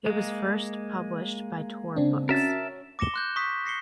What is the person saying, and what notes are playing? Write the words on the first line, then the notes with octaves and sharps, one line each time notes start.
It was first published by Tor Books.
G#3 A#3
C#3 C4 D4
C#4 F#4 A#4 E5 A5
D6 A#6 C#7 E7 G7
C6 F#6 G6
C#6 D#6 B6
A#6 C7 C#7 G7